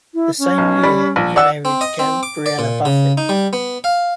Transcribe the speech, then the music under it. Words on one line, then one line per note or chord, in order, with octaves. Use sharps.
The same year, he married Gabrielle Buffet.
E4
C#4
B1
G3 B5
A#1
D5 F#5 E6
C4
D#5
C4
D6
D5
A#2
C#3
D#4
G3
B3
F5